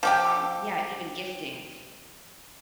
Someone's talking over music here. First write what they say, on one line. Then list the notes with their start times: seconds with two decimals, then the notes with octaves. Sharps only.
um yeah, even gifting,
0.03 F3 G4 G5